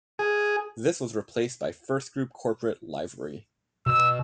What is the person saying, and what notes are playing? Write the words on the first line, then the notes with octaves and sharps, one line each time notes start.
This was replaced by FirstGroup corporate livery.
G#4
B2 E6